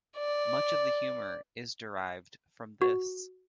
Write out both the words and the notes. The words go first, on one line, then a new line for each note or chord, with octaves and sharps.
Much of the humor is derived from this.
D5
F#4